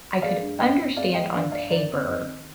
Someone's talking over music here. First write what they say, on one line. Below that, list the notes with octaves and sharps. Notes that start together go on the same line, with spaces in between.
I could understand on paper
G#3 D5 F5
G2
G2 D#5 G5
C4
G#3 D5 F5
F3 D#5 G5
G2 D5 F5
G2 D5 F5
D#3 A#4 D5
C4
D#3 C5 D#5
D#3